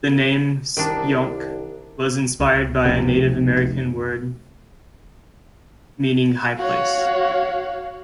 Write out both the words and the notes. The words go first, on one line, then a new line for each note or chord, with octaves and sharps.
The name "Speonk" was inspired by a Native American word meaning "high place".
C2 D#3 D4
C#2
F1 C3
F#4 C#5 F5